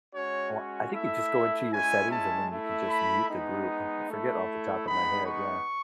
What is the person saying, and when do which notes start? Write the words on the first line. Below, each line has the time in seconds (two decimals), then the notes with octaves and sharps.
W I think you just go into your settings, and then you can just mute the group. I forget off the top of my head. Yeah.
0.13 G#3 C#4 F#4 C#5
0.92 A3 E4 E5
1.71 G#3 C#4 E4 G#5
2.10 A5
2.49 A3 E4
2.89 B5
3.28 G#3 B3 D#4
4.07 A3 E4
4.86 G#3 B3 D#4 B5
5.26 C#6